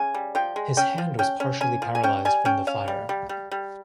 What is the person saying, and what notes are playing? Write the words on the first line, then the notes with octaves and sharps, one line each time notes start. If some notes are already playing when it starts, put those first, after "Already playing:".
His hand was partially paralyzed from the fire.
Already playing: C#3 G#5
G3
F3 G5
G#3
C#4 G5
F3
C#4 G5
C#4
C#4 G#5
F3
G#5
C#4 G5
G3 G#5
C#4 G5
C#4 F5
G3
G3
G3
G3